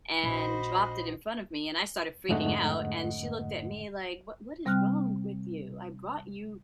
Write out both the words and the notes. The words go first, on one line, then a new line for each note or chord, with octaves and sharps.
and dropped it in front of me, and I started freaking out. And she looked at me like, what what is wrong with you? I brought you
A#1 F#4 C5 D#5 B5
F2 G#2 D3 A3 D#5 F#5
C3 G3 C4 G5 F6 F#6